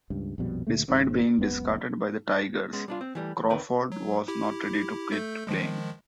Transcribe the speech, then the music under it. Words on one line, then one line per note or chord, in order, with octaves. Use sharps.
Despite being discarded by the Tigers, Crawford was not ready to quit playing.
C#2 G2
A#1 F2 B2 G3
D2 A#2 D3 A3
G#1 G#2 C4 C#4
F#1 C#2 C3 B3
G#3 B3 C#4
G3 D4 F4
C4
E3 G3 A3
E3
D2 D#3 C4 A#4 B4
F#3
E4 G4
A3 A4 G6
D#3 F3 G#3